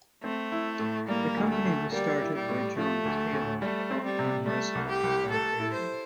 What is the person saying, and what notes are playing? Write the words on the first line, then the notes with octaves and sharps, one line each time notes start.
This company was started by John Taylor, a long-time resident of that area.
A3 C4
E4
A2
G3 A#3
D2
A3
D2
G3 A#3
E4
G3
A2
F3 A3
D2
D2
G3 A3
C4
G3
C3
G3 A3
C2
G4
C2
A3 A4
E4
C5